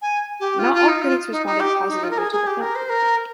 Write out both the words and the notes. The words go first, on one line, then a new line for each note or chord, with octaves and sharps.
Not all critics responded positively to the film.
G#5
G4
F4
F4
D#4
F4
D#4
D#4
G4
D#4
F4
A#4
G#4
G#4
G4
A#4
C5
A#4